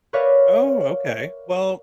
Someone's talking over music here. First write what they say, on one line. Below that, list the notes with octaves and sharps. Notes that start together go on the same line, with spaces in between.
Oh, okay, well,
A#4 B4 C#5 D5 E5 F5